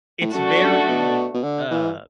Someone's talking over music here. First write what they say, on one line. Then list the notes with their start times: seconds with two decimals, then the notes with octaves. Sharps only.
It's very, uh,
0.21 A2
0.34 F#2 A3 D4 F#4 A4
0.61 F#2
0.89 B2
1.34 B2
1.44 D3
1.71 E3